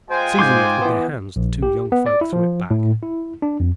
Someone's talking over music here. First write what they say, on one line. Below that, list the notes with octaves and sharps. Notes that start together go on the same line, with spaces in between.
Seizing it with their hands, the two young folk threw it back.
G#3 F4 C5 G5 G#5
G#2 C6 D6 G6
E3 B3
A#1
G4
B3
D5
E4
F3
A2
E4
D4
F2